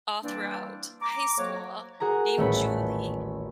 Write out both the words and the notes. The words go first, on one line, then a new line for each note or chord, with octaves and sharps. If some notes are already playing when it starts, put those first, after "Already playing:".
all throughout high school named Julie,
E3 G3 A#3 C4 D4
A#5 D6
F2 F#3 A#3 F#4 C#5
F#4 G#4 A#4 A#5
D#1 A1 A3 C#4 C#5 B5